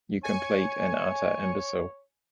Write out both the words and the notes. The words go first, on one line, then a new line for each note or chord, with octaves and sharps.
You complete and utter imbecile.
C#5 G#5 C#7